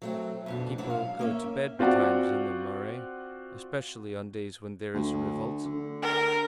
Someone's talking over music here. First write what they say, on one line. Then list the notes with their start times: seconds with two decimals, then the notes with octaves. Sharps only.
People go to bed betimes in the Marais, especially on days when there is a revolt.
0.02 F#3 A3 C4
0.46 F2 B2 D4
0.78 G#2 F#3 D4 E4 F#4
0.90 F5
1.19 A#3 C#4 E5
1.79 C4 F4 F#4 D5 F#5
4.94 D2
5.66 D3
6.02 A#4